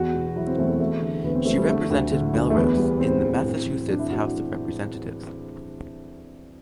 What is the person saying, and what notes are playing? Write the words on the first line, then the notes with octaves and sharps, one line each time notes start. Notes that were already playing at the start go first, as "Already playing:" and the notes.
She represented Melrose in the Massachusetts House of Representatives.
Already playing: E2 F#4
B2
F#3 E4
C4
E2 A3
A3
F#3 A3
D3
D2 B3
C4
F#3 A3
G3
D3 A3
D2
D3
D2
A3
E2 B3
G3
E2 C4
E3
A2
F#3
F#3 D4
E4
A2 F#4